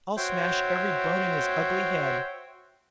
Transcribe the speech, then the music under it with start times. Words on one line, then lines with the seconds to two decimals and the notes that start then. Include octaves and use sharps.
"I'll smash every bone in his ugly head."
0.17 F#4 C5 C#5 E5 G5